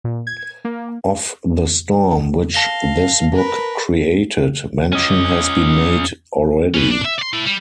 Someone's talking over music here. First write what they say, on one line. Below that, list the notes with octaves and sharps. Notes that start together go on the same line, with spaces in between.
Of the storm which this book created mention has been made already.
A#2
G#6
A#3
F5 A5 A#6 G7
A#4 B4
C#4 D#5
C#4 B4
D4
E5
D5 C6
E4 A4
G3